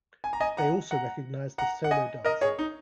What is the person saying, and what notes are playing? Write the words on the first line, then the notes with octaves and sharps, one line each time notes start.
They also recognise the Solo dancer.
G#5
A#5
D#5 G#5
F#5 A#5
F#5 A#5
F#5 A#5
F#5
D#5 G#5
A#4 D#5
G#4 C#5
D#4